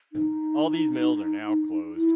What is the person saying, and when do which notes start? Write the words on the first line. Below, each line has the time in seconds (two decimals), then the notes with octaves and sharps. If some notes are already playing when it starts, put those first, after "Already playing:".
All these mills are now closed.
0.13 D#4
1.96 E4